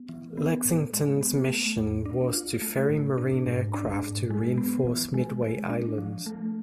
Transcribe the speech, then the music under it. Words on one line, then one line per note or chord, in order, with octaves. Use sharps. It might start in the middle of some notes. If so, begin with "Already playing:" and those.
"Lexington"s mission was to ferry Marine aircraft to reinforce Midway Island.
Already playing: B3
E3
B3
A2
G#3
B3
A3
E2
D4
F4
A3
A2
D4
G#2
D4
G#2
G#3
B3
E3
G#3
G#3
D4
F3
A3